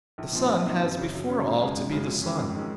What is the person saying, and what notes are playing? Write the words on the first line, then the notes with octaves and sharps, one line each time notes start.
The sun has before all to be the sun.
A#1
A#2 F3 C4 D#4
A#1
A#2 F3 C4 D#4
F#2
C#3 F#3 C#4
F#2
C#3 F#3 C#4
G#1
F#2 C#3 G#3
G#1
F#2 C#3 G#3
F2
D#3 G#3 C#4
F2
D#3 G#3 C#4